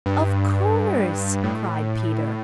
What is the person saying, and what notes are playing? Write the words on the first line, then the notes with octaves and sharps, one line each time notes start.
"Of course," cried Peter.
G2
A2